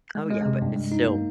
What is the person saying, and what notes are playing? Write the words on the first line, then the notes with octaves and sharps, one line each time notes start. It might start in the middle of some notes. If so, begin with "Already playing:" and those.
Oh, yeah, but it's still
G#3
G#3
C3
G2
G#3
D#4
A#3